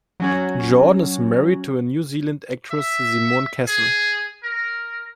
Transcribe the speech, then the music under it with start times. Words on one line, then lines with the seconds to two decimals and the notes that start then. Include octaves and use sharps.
Jordan is married to a New Zealand actress Simone Kessell.
0.20 F#3 C#4 F#4
2.71 E5
3.68 G#4
4.43 A#4